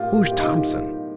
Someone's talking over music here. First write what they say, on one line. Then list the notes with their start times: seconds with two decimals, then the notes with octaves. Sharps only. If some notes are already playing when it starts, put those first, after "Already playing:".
"Who's Thompson?"
Already playing: A2 A#3 F4 G4
0.24 G4
0.32 F4
0.38 D#4